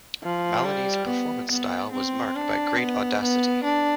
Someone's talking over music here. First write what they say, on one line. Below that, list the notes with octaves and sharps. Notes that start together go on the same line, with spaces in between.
Malini's performance style was marked by great audacity.
F3
G3
B3
B3
C4
D4
B3
B3
D4